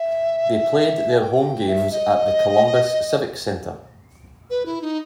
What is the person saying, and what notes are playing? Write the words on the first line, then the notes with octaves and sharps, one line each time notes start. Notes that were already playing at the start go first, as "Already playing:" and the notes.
They played their home games at the Columbus Civic Center.
Already playing: E5
G5
E5
D#5
B4
E4
D#4